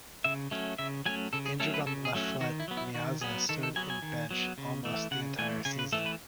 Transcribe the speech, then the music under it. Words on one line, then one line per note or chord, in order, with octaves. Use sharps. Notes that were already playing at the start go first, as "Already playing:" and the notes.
Injured on the left foot Meazza stood in bench almost the entire season.
C#3 E5
F#3 A3 C#4
C#3 E5
F#3 A3 C#4 G#5
C#3 A4
G#4
F#3 A3 C#4 A4
B4
C#3 A4
G#4
F#3 A3 C#4
F#4
D#3 F#4
E4
F#3 B3
E4
D#3 F#4
F#3 B3 G#4
D#3 A4
A4
F#3 B3 G#5
G#5
D#3
F#3 B3
C#3
E3 A3
C#3 F#5
E3 A3 G#5
C#3 G#5
B4
E3 A3 A4
B4